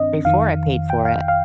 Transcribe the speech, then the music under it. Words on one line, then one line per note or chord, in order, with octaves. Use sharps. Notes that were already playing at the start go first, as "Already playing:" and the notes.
before I paid for it.
Already playing: G2 D#3 C4 D4 D#5
F2 D#3 F5
G5
F5
F5